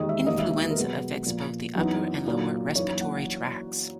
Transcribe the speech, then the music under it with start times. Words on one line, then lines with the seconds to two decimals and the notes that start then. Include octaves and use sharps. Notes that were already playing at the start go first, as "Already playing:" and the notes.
Influenza affects both the upper and lower respiratory tracts.
Already playing: E1 D#2 D#3 G#3 D#5
0.09 E5
0.26 E1 D#2 D#3 A#3 D#5
0.39 E5
0.51 E5
0.63 B4
0.71 A#4
0.76 B1 B2 G#3 B3 B4
1.26 A#1 A#2 A#3
1.76 F#2 E3 B3 D#4
2.25 B1 A#2 A#3 D#4
2.75 F#1 F#2 E3 A#3 D#4 C#5
3.01 F#5